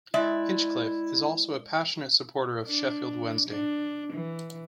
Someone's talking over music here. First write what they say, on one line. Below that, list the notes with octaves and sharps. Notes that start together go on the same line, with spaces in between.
Hinchcliffe is also a passionate supporter of Sheffield Wednesday.
G#3 E4 D5 E5
D4
D4
E3